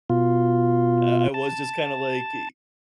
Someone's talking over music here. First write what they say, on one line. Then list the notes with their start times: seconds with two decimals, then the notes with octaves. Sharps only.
I I was just kinda like i
0.10 B2 F4
1.34 A5